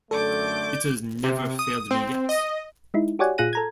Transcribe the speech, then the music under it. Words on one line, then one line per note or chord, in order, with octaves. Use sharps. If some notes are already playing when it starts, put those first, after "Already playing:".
It has never failed me yet.
F#2 D3 A3 A4 D5 D6 G6
C3
D#6
C4
D#5
G#3 D#4 E4
F#4 G4 C#5 D5 F#5 G#5
A#2 F4 G#4 F#6 A#6 D#7
A4 A#5 G#6